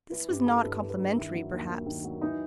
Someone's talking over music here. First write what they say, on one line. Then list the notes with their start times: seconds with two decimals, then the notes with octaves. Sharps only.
This was not complimentary, perhaps.
0.11 E3 B4
0.28 G2 G4
0.46 E3 A4
0.63 G2 B4
0.81 E3
0.90 B4
0.99 G2
1.16 D#3 E4
1.34 F#3
1.51 D#2
1.69 D#2
1.86 D#3
2.04 F#3
2.21 E3 D#4